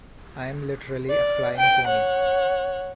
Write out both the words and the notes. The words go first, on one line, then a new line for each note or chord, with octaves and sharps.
I am literally a flying pony.
D5
G5 D7
C#5 F#5